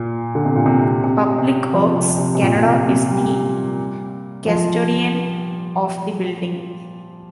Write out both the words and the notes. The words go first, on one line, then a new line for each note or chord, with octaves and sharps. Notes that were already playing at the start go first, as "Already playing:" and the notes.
Public Works Canada is the custodian of the building.
Already playing: A#2
D3
C3
A#2
C3
C3
C3
F3
C3
C3
C3
A#2
A#2
C3
C3
G3
F3